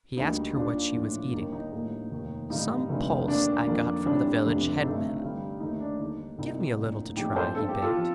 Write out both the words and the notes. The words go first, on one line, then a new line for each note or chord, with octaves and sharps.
He asked her what she was eating: "Some pulse I got from the village headman," "Give me a little to try" he begged.
D2 D3 G3 A#3 D#4
D#2 D#3 G3 A#3 D4 F4
A#1 A2 F3
D#2 D3 G3 A#3 D#4
D#4
A#1 A2 G3 A#3
F1 D#2 D#3
A1 G2 D3 G3 D#4
F1 F2 D3 G3 C4
D#2 D#3 A#3 D4
F2 D#3 A#3
A#1 A2 G3 C4 D4
F1 F2 C3
G2 D3 A3 C4 D#4
G2 D3 G3
D#2 D#3 A3 D#4
D4
D#2 D3 G3 D#4
C2 A#2 G3 C4 D#4
A#1 A2 A3
A#1 A2 F3 C4 D#4 G4
A4 C5
G1 G2 D3 A4
G4
F4 A4
F3 C4